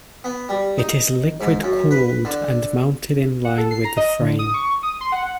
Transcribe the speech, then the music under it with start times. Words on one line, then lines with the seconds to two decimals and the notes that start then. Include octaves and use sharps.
It is liquid-cooled and mounted inline with the frame.
0.24 B3
0.49 G3
0.78 D#4
1.41 G#2
1.63 F#2
1.91 B4
2.25 D3
3.45 F#5
3.58 A4
3.71 C7
3.84 A#5
3.97 D#5
4.21 D3
4.39 D#6
4.54 C#6
4.83 D#6
5.01 C6
5.12 F#5